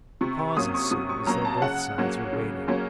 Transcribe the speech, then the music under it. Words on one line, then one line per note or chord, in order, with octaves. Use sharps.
A pause ensued, as though both sides were waiting.
C3 C#6
C#6
F#3 A#3 C#4 D#6
C#6
C3 D#6
C#6
F#3 A#3 C#4 A#5
A5
C#3 F#5
F#3 A#3 C#4
C#3
F#3 A#3 C#4